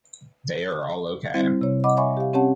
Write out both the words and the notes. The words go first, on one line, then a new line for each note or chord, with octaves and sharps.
They are all OK.
G3 C4 E4 C5
C3 C#5
D#5 F#5 B5 D6
C#5 E5 G#5 B5 C#6
G4 F5
C4 C#4 G4 C#5 F#5 A5